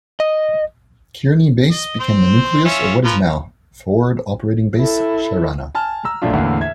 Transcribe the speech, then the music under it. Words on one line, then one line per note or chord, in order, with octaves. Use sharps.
Kearney Base became the nucleus of what is now Forward Operating Base Sharana.
D#5
D#5
C4 C5
C#4 F4 E5
F3 A#4 B4
E4 A4
G#5 A5 F6
A#5 E6
A#1 F#2 A#2 A3 D4 F4
E2 A2 D3 E3 A#3
E5 G#6